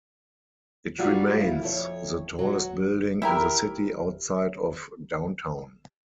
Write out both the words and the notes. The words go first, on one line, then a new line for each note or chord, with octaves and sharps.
It remains the tallest building in the city outside of Downtown.
F#3 G3 F4 F#4
E4
F2 C#5
F#3 F#4
E4 G4 A#4